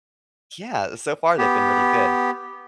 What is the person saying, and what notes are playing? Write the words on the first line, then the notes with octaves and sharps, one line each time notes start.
yeah, so far they've been really good.
B3 G4